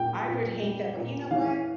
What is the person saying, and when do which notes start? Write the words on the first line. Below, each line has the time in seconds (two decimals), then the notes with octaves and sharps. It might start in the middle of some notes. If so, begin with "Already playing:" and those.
I would hate that, but you know what?
Already playing: A#2 G5
0.28 A#2
0.62 G3
0.97 A#2
1.31 E3 F5